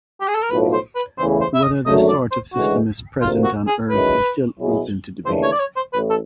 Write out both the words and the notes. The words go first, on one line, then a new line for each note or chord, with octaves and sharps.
Whether this sort of system is present on Earth is still open to debate.
G4
G#4
A4
A#4
B1 A2 F3 B4
C5
B4
E2 C#3 E3 A3 C5
C5
E5
D#5
G#1 F#2 D3 F#3 A3 D#5
D5
C5
D2 C#3 E3 G#3 F#4
D2 C3 F3 A#3 F4
F#4
G#4
F#2 D#3 G#3 C#4 E4 B4
B2 F#3 B3 E4 G#4
D#2 C#3 E3 A3 D4 C5
C#5
D5
C#5
C5
A1 A2 B4
A4